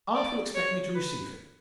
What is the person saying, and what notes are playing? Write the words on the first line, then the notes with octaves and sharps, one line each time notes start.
Aunt will expect me to receive him.
D5
C#5
B4